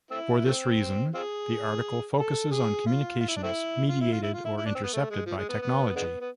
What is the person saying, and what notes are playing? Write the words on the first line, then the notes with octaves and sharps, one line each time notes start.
For this reason, this article focusses on communications mediated or intercepted by technology.
A3 C4 E4
F3 A3 C4
C4 F4 G#4
A4
G#4
F4
F4
E4
D4
A3 C4 E4
F4
E4
F4
E4
F4
E4
E4
D4
C4
B3
A3
G#3
F3
G#3
B3
B3
D3 G#3 B3
B3